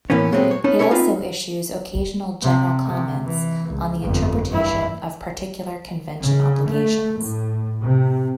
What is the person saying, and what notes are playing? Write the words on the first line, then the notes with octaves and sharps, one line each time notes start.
It also issues occasional general comments on the interpretation of particular Convention obligations.
A2 E3 A#3 B3 C#4
A#2 F#3 G#3 A3 B3 C4
C#5
B3 C#4 D#4 A5
A4 B4 C#5 D5 G#5
C4 D#4 F4 B4
C3
C3
E3
C#2
G1 F2
G2 E4
C#3
A3
A2
C3